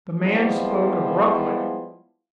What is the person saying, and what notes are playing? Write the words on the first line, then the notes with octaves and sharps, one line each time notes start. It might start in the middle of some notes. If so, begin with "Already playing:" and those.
The man spoke abruptly.
F3 G3 G#3 B3 E4